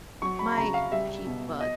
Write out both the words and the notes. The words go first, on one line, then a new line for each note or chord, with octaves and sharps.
my cheap butt
F#3 C#6
B5
B5
C#3 A#5
F5
G3 E5
B2
D#5